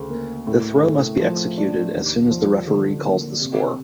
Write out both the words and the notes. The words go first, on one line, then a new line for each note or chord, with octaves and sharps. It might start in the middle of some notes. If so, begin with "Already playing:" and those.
The throw must be executed as soon as the referee calls the score.
Already playing: D2 C#3
A#3
A2
A3
F3
D4
D#2
F3
D3
A#3
C3